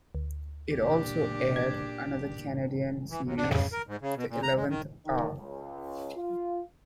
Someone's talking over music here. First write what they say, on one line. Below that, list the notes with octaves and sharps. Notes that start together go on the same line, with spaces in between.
It also aired another Canadian series, "The Eleventh Hour".
D2
A#2 D4 G4
G#6
E3
D#2
D4
C#3
A#4
G#2
C#3
B2
A#2
A#5
G#3
D#3
D#3
C#2
F4